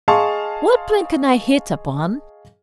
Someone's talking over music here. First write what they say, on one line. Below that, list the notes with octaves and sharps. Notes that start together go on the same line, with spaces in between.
What plan can I hit upon?
G#4 D#5 F5 A5 C6 C#6